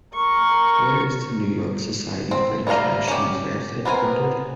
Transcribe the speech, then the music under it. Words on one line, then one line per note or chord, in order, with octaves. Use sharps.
Where is the New York Society for International Affairs headquartered?
A#4 C#6
C4
G3 A3 C#5 F5 A#5
C#4 G4
B3 C4 A#4 G#5